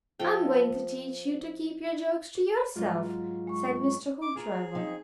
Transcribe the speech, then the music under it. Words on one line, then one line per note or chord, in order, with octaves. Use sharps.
"I'm going to teach you to keep your jokes to yourself," said Mr. Hoopdriver.
F3 A4 G5
G#2 F#3 F4
G#3 C#6
D6
F4 G#4 A#5
F3 C4 D#4